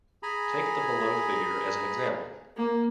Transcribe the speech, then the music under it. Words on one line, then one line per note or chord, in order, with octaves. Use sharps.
Take the below figure as an example.
G#4 G#5 A#5 B5
A#3